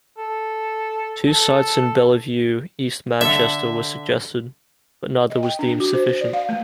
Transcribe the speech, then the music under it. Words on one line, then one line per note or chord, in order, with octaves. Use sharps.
Two sites in Belle Vue, East Manchester were suggested, but neither was deemed sufficient.
A4
A4
D3 A4 E5
D#5
G5
D4
F#4
C5
C5
D5
F5
A3